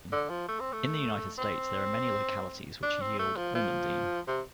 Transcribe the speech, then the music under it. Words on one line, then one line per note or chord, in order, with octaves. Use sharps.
In the United States there are many localities which yield almandine.
D3
F3
A3
C4
A3
C4
D4
C4
A3
F3
F3
C3